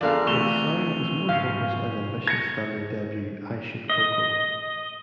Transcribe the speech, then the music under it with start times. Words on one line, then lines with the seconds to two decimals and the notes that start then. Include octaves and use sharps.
Its sound is more focused and ambitious than their debut, "I Should Coco".
0.01 E2 D3 F3 A#4 D5 F5
0.27 D2 C3 E3 A3 C#6 E7 F7 G7
1.29 G#2 C#3 F3 F5
2.27 G#6 A#6 C#7
3.90 D#5